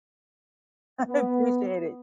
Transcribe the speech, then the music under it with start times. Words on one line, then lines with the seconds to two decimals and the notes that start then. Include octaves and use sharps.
I appreciate it.
1.07 B3